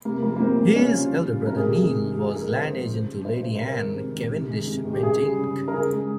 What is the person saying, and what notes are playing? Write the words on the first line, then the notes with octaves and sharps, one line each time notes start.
His elder brother Neil was land agent to Lady Anne Cavendish-Bentinck.
C3 A#3
F3 G#3 A#3
A#3
C3 C4
F3 G#3
C#3 C#4
G3 F4
C#3
G3
C3 A#4
G#4
D#3 G#3 G4
G#4
C3
D#3 G#3
G4
C3 G#4
G#4
F3 G#3 A#4
C3 C5
F3 G#3
C#3
G3
C#3 C5
G3 C5
C5
C3 A#4
D#3 G#3
C3
D#3 G#3
C3
D#3 G#3
C3
D#3 G#3
G4
C#3 G#4
G3
C#3
G3
A#4
C#3 G#4
G#3